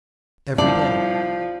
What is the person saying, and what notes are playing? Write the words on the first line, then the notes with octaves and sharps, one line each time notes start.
'Every day.
C2 F3 D5 A5